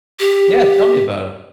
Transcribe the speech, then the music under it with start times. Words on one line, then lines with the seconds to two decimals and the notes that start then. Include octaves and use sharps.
Yeah, tell me about it.
0.19 G4